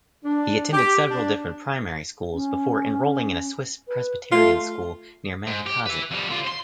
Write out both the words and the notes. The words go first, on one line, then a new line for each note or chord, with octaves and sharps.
He attended several different primary schools before enrolling in a Swiss-Presbyterian school near Manjacaze.
D4
G4
D4
C#4
B4
A3 F4
G#2
G4
B4 E5
F2 G3
D3 F4
C5 C6